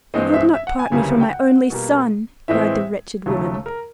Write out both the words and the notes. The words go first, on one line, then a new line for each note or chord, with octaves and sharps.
"You would not part me from my only son!" cried the wretched woman.
G2 E3 G#3 C4 D#5
E5
E5
F#5
G#5
D2 C#3 E3 G3 A#3 G#5
G5
F#5
B2 G3 A#3
A2 E3 G#3 C4 E5
D#2 C#3 F#3 A3
A#4